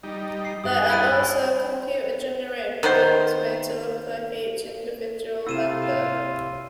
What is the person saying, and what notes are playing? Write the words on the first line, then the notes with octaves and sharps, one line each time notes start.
There are also computer-generated balloons made to look like each individual member.
G3 D#4
C7
G2 D#6 F#6
E4 F#6 A6 D#7
D#3 B3 C5
C3 E4 F4 G4 F5 E6 D#7 E7